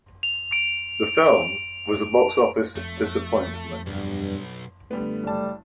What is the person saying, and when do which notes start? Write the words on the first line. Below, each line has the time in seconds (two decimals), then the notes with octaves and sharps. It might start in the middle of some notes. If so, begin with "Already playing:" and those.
The film was a box office disappointment.
0.23 F7
0.52 D7
2.76 F2 A3
3.86 B1 G2
4.91 D3 G3 A3 B3
5.24 F#1 G3 A5